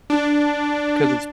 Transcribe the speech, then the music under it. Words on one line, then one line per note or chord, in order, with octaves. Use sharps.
'cause it's
D4